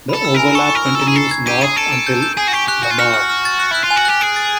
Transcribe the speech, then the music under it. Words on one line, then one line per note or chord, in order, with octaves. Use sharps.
The overlap continues north until Lamar.
A4 B5
E6
A#4 G#5
A4 C#6
C#6
A#4
E6
A4
A#5
G#4
A4 C7
G#6
G4 D#7
G#4 D#7
A4 D7
D7
G6
G6
G#4 G#5
F#4
G4 C#6
G4 F#6
F#4 F#6
F4
F#4 F6
F6
F6
A6
F#6
E4 F#6
F4
G#5
F#4
G4 F#6
G#4 D7
A6